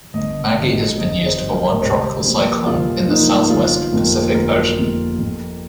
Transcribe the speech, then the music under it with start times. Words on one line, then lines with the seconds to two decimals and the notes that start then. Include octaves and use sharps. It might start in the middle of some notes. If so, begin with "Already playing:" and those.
Maggie has been used for one tropical cyclone in the southwest Pacific Ocean.
0.14 G1 D#5
0.56 G2 G3
0.98 G1 D#5
1.26 C5
1.40 G2 G3
1.54 A#4
1.82 C2 C5
2.24 C3 F3 A#3
2.66 C2 F4
3.08 C3 F3 A#3 D#4
3.50 G1 F4
3.92 F2 F3 A#3
4.34 G1 A#4
4.77 F2 F3 A#3
5.18 F2